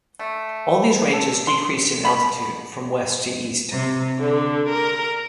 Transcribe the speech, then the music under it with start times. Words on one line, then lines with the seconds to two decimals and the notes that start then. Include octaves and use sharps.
All these ranges decrease in altitude from west to east.
0.19 A3
1.13 A4
1.47 C6
2.05 B5
3.72 C3
4.19 D3
4.69 A#4